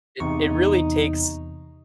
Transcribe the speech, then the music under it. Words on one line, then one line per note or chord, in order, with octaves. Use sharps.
it it really takes
E2 C3 D#4 C#6